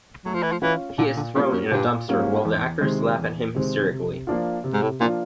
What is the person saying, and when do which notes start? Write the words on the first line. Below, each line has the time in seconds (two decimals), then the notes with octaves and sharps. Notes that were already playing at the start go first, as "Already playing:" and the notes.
He is thrown in a dumpster while the actors laugh at him hysterically.
0.25 F#3 A3
0.34 F3
0.43 E3
0.52 F3
0.62 E3 C#4 F4
0.98 A#2 D3
1.16 D3
1.35 C3 G3 A#3 C#4 F4
1.53 F#2
1.71 G2 A#2
2.08 G#2 G3 A#3 C#4 F4
2.45 E2
2.81 C3 D#3 G#3 C4
3.18 E2
3.55 C3 D#3 G#3 C4
3.91 C3
4.27 F3 A#3 D4 F4
4.64 C3
4.73 G#2
4.82 A2
5.00 A#2 F3 A#3 D4 F4